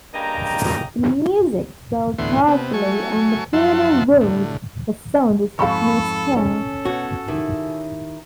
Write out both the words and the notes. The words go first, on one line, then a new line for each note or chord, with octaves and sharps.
The music swelled powerfully and the piano roared... the sound is with me still.
G2 C#3 A#3 D#5 G5 A#5
D2 A2 E3 B3 C6
C3 B3
F#3 A3 G#5 C#6
F#2 F3 E5 F#5 A5 C6
A2 D3
F2 G#2 A4 F5 B5 C#6
C#4 A4
B2 F#4 C#5
D#3 E4 G4